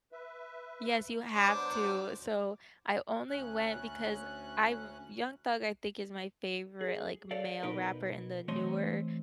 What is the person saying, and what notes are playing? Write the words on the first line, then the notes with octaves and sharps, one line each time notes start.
Yes, you have to. So I only went because I've Young Thug, I think, is my favorite, like, male rapper in the newer
B4 E5
D4 B5 D6
F#3 B3 C5
D2 C#4 F#6
G#4
A4 C#5 D5 F5
B2 D#4 A#4 B4
E3 A3 C4 C#5 D#5 C6